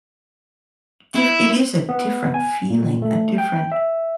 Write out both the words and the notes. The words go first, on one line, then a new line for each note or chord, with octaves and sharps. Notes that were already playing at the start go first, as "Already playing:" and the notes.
diff it is a different feeling, a different
E4
B3
G#5
A#2
A3
G5
E5